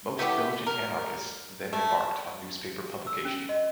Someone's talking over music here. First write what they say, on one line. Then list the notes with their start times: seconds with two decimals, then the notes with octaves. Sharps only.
Most Belgian anarchists then embarked on newspaper publication.
0.19 A3 B3 E4 G4
0.67 A#4
1.73 A3
3.07 E6
3.25 C#4
3.49 D#5